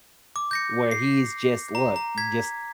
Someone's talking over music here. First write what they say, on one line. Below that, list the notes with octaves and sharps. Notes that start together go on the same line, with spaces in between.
where he's, just look, just,
D6
G6 A#6 C#7
C7
A#5
A#5
G#6 B6